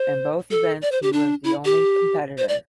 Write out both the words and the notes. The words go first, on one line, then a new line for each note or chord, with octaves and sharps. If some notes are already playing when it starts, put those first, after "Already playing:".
In both events he was the only competitor.
Already playing: C5
A4
D5
C5
G4
D4
E4
G4
C5
D5